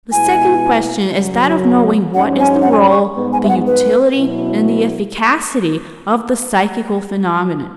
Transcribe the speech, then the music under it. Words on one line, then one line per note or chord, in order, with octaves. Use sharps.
The second question is that of knowing what is the role, the utility, and the efficacity of the psychical phenomenon.
B2 G#3 B3 E4 G#5
F#2 C#3 F#3
G#2 F#3 C#4 F#5
G#5
F#5
G#5
B5
C#6
G#2 G#3 B3
G#5
E5
F#5
B4
B2 F#3 B3 E4